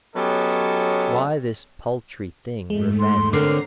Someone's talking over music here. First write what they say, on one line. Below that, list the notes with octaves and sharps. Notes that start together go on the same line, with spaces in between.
Why this paltry thing, revenge?
F#3 B3 C#4 G4 A4 D#5
G#2 G#3 A3
C6
D3 C4 A#4 C#5 A#5 D6 C7